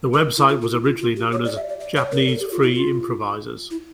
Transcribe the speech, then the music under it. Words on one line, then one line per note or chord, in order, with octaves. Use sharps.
The website was originally known as "Japanese Free Improvisers".
A#4
E4
F4
F4
E4
F4
F4
G4
C#5
D5
E5
D5
D5
C#5
A#4
A4
G4
F4
E4
F4
E4